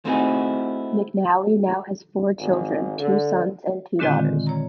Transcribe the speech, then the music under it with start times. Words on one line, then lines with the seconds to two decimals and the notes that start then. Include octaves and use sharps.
McNally now has four children, two sons and two daughters.
0.05 A3 C4 D#4 E4 F#4 G#4
2.39 G#1
2.98 D3
3.99 A#2 D3 D#3 G#3 C4 F4
4.47 C#5 A#5